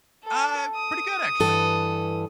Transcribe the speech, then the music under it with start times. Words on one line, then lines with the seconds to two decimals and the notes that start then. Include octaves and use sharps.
Uh, pretty good, actually,
0.23 A4
0.75 D#6
1.40 G2 E3 A4